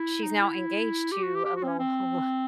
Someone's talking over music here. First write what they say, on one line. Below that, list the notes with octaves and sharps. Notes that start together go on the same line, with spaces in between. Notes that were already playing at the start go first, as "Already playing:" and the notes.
she's now engaged to a little a li
Already playing: E4
D#4
E4
G4
F#4
G4
G4
F#4
C4
C#4
C4